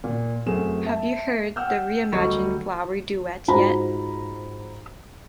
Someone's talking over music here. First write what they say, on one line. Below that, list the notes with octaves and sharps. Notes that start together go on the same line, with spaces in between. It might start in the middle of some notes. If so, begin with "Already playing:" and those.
Have you heard the re-imagined Flower Duet yet?
A#2
F#2 A3 C4 G#4 E7
E5 A5
F#5 G5 E6 F6 G6
D2 F#3 G3 A3 D#5 C#6
G#2 F4 F#4 C5 A#5 B5